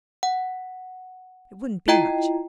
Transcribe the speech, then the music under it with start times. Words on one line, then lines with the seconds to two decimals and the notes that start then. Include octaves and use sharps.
It wouldn't be much.
0.23 F#5
1.88 E4 F4 D#5 G5 A#5 G#6